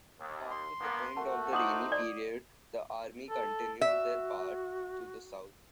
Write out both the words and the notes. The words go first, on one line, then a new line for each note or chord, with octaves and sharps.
After the end of the rainy period, the army continued their path to the south.
D#2
C6
G2 A#3 B3
A3 F#4 A#4 F#5 A5
D#4 C5 F#5 D6 D#6 F#7
D5
A4
F#4 E5